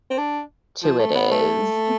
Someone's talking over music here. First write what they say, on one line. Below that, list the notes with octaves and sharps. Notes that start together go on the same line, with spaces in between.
to it is
C4
D4
F3
A3
B3
A3